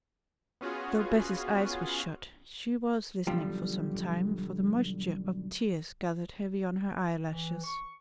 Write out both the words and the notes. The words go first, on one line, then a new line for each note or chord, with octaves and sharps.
Though Bessy's eyes were shut, she was listening for some time, for the moisture of tears gathered heavy on her eyelashes.
B3 C#4 F4 F#4 G#4
B1 D3 F3 G3 F4 G5
E3
C#6